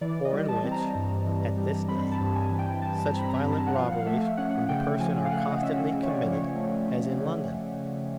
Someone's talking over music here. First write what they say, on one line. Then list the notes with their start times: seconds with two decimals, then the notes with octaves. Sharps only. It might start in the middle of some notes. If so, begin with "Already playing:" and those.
Or in which, at this day, such violent robberies from the person are constantly committed as in London?
0.01 E3 D5
0.25 D#5
0.32 G3
0.48 A5
0.64 C4
0.72 A#5
0.95 G2
1.26 E3
1.57 G3
1.88 C4 B5
2.12 A5
2.20 G2
2.35 G#5
2.50 E3
2.59 G5
2.82 G3 A5
3.05 A#5
3.13 C4
3.19 B5
3.29 A#5
3.45 G2
3.52 A5
3.67 F#5
3.75 F3 F5
3.92 F#5
3.99 F5
4.06 A3 E5
4.37 C#4 F#5
4.69 C#3 G5
5.00 F3 G#5
5.25 F5
5.31 A3 F#5
5.51 D#5
5.62 C#4 E5
5.93 C#3
6.03 C#5
6.09 D5
6.25 F3
6.32 C#5
6.56 A3
6.87 C#4
7.18 C#3